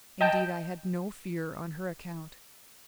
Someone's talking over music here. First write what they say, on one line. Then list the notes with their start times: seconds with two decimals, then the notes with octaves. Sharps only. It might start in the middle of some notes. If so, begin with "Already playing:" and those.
Indeed I had no fear on her account.
0.21 D#5 G5 A5 G6